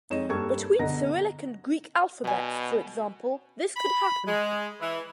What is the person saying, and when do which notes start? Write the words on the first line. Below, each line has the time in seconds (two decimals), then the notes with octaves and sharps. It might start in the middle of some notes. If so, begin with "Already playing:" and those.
Between Cyrillic and Greek alphabets, for example, this could happen.
0.10 F2 G#3 D#4 C#5 D#5 E7
0.29 G2 A#3 G4 A4 C#6 G#6
0.79 B2 D3 D#5 F#5 A#5 A#6
2.24 B2 G3 G#5
3.77 B5
4.26 G#3
4.81 E3